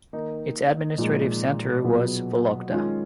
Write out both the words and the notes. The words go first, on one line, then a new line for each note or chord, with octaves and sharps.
Its administrative centre was Vologda.
D#3 A#3 D#4
A#2 F3 G#3 D#4 G#4
B2 F#3 B3 F4 G#4
D#3 G#3 C#4 F4